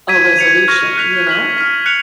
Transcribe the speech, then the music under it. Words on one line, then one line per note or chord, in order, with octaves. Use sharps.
a resolution, you know?
G#6 B6 D#7
G#6 C#7 F7
C#6 F6 A#6
F#6 B6 F7
F6 G#6 B6 F#7
F6 B6 F#7
F#6 C#7 F7